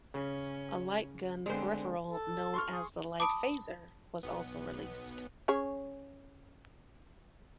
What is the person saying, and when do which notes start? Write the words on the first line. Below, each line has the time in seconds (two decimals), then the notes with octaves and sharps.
A light gun peripheral known as the Light Phaser was also released.
0.14 C#3 C#4
1.46 D3 G#3 B3 C4 C5
2.09 A4
2.54 C6 C#6 F6
2.71 G#4
3.20 A5 B5 D6 D#6 D7
4.23 B1 B3
5.48 C#4 G#4 C#5